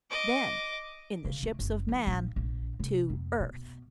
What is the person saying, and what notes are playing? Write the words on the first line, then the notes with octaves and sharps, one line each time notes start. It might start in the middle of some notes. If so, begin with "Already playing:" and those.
Then--in the ships of man--to Earth!
D#5 D6
C#3
A3
F#1
E3
A#1
A#1
C3
F2
B2